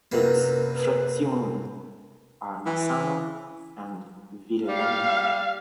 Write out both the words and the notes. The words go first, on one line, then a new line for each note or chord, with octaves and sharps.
Its "frazioni" are Masano and Vidalengo.
F#2 C3 A#3 B4
E3
G3 F5